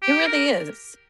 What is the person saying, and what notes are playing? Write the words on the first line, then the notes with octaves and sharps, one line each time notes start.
It really is.
G4
A#4